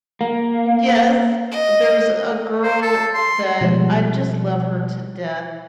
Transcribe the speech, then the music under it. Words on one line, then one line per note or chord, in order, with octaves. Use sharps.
Yes, there's a girl that I just love her to death,
A#3
D#5
C5
A4
C6
B2 F3 G3 G#3